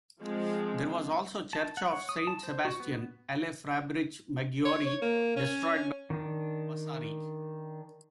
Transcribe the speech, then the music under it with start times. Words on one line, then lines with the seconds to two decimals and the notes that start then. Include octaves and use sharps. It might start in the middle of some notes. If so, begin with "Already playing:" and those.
There was also the church of Saint Sebastian "alle Fabbriche Maggiori", destroyed by Vasari.
0.21 F3 G#3 C4
1.53 A5
1.77 F#5
1.93 C#5
2.09 D#6
2.27 A5
2.43 C5
2.65 F#4
2.80 B3
4.65 C#5
4.87 C#5
5.02 A#3
5.36 C#4
6.10 D#3 D4